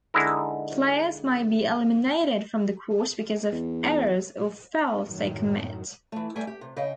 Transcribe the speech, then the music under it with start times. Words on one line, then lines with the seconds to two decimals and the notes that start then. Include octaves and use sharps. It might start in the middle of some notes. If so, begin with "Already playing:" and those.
Players may be eliminated from the court because of errors or fouls they commit.
0.14 D3 G#3 D#4 E4 A#4
3.52 E2
5.05 F#2 A2 D#3 F#3
6.12 E3 A3
6.36 G3 A3 E5 G5 G#5
6.47 G4
6.61 C3
6.76 C#3 D#5 G5